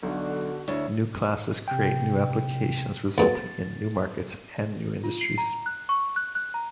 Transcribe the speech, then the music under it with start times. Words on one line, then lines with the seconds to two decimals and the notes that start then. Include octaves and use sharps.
New classes create new applications resulting in new markets and new industries.
0.03 B1 D3 F#4
0.68 D2 E4 C#5
1.68 C3 G5
3.18 D2 G2 B2 A6
5.04 F4
5.21 C7
5.38 A#5
5.66 F#6
5.89 C#6
6.16 F#6
6.35 F#6
6.54 A#5